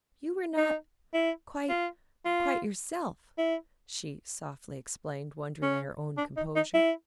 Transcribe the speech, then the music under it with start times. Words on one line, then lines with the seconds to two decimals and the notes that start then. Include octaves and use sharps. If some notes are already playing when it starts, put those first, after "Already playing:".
"You were not--quite--quite yourself," she softly explained, wondering at her own composure.
0.58 D#4
1.14 E4
1.69 F4
2.25 F4
3.38 E4
5.62 C#4
6.18 D4
6.37 D#4
6.56 D#4
6.74 E4